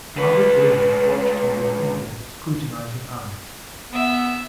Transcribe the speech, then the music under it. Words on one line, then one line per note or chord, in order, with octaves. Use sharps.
Margaret Wilmot watched him with eager, scrutinizing eyes.
C#2 B4
B3 E5